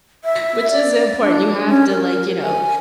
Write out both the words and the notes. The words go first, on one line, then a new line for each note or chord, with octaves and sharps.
Which is important, you have to, like, you know
E5
D5
D4
C#4
A#4
G#5